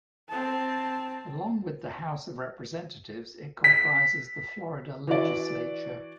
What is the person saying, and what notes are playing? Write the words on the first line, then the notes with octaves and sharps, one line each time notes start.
Along with the House of Representatives, it comprises the Florida Legislature.
C4 A5
B6
E3 F#4 D5